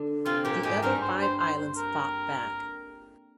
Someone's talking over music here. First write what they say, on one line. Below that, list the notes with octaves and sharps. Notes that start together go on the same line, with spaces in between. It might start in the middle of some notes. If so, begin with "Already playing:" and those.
The other five islands fought back.
Already playing: D3 D4
C3 C4 F4
A#2 A#3 G4
G#2 G#3 G4
G2 G3 A#4
C5
C5
C5
A#4